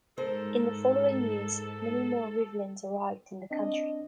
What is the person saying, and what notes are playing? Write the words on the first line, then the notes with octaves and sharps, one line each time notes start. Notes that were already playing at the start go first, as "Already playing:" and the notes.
In the following years, many more Rivlins arrived in the country.
G#2 A4 A#4 C5
C4 D4 D#5